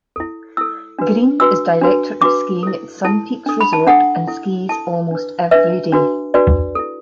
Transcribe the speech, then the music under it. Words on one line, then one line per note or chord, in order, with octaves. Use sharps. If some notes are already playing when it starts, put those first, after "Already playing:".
Greene is director of skiing at Sun Peaks Resort and skis almost every day.
E4 A4
E4 A4 E6
D4 F#4 B4
D4 F#4 B4 E6
D4 F#4 B4
D4 F#4 B4 D6
E4 A4
E4 A4 A5
D4 A4
B5
A5
D4 A4 F#5
E4 A4
E4 A4 A5
D4 B4
D4 B4 E5
D4 F#4 B4
D4 F#4 B4 D5
E4 A4